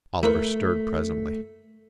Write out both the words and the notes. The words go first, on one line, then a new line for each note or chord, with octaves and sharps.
Oliver stirred presently.
A3 E4 A#4 B4